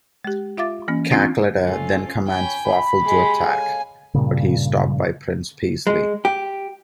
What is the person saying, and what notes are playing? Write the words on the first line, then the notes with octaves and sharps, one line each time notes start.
Cackletta then commands Fawful to attack, but he is stopped by Prince Peasley.
G#3 G4
F4 E5 F5 D6 A6
E3 A#3 C#4
C4 D4 F4
F2 G#3 C#4 F4 A4
C#5 G5 G#5 B5
B5
G#3 G4
A4 C#5 F5 G#5
G2 A#2 C#3
G#3
G4